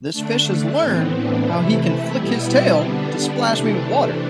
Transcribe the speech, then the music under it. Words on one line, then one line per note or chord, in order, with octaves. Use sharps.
this fish has learned how he can flick his tail to splash me with water.
D3 A3 D4
A2 E3 B3 C4
D4
C3 E3 A3 E4
B2 G3 B3
C4
D3 G3 B3 D4
D4
C3 E3 A3